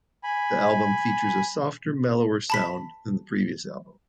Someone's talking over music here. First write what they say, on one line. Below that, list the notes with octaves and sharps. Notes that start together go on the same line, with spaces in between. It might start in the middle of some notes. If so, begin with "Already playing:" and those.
The album features a softer, mellower sound than the previous album.
G#5 B5
A5 B5 B6